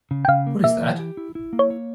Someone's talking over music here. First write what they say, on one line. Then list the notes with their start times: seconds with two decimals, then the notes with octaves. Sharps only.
What is that?
0.11 C#3
0.25 G5
0.28 C#3 F5
0.47 A#3
0.64 A#3 E5
0.82 E3
0.99 G4
1.17 E4
1.35 E4
1.53 A#3
1.59 C#5
1.70 C#5